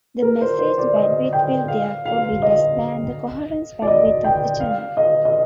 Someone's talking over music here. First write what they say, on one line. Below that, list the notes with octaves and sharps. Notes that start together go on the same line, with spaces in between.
The message bandwidth will therefore be less than the coherence bandwidth of the channel.
A#4
C5
C5
D5
D#5
G5
F5
F5
D#5
D5
D#5
G5
F5
D#5
D#5